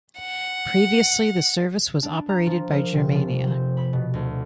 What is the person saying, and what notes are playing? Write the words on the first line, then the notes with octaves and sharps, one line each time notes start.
Previously the service was operated by Germania.
F#5
D4
A#5
F3
A#4
C3
F3
C5
B5
B2
D2